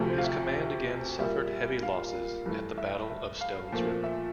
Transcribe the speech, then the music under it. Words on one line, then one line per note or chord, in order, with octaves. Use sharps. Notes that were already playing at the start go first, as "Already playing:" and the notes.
His command again suffered heavy losses at the Battle of Stones River.
Already playing: D2 C3 F3 A3
C5
F5
E5
A#2 G3 A#3 E5
F5
G2 E3 A3
E5
F5
A#2 F3 A3
E5